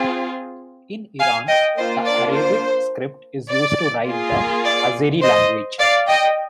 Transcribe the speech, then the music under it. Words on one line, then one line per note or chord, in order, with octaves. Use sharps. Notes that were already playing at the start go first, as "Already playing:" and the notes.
In Iran, the Arabic script is used to write the Azeri language.
Already playing: C4 F4 G#4
F5 G#5
D#5 G5
A#3 D4 F4 C5 D#5
D5
C5
D5
A#3 F4 G#4
D5
C5 D#5
D5 F5
D#5 G5